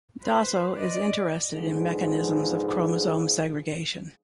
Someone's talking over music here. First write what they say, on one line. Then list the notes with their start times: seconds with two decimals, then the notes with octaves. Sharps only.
Dasso is interested in mechanisms of chromosome segregation.
0.22 B4 C5
0.76 D5 D#5
1.53 G#2 D3 F3 B3 G#4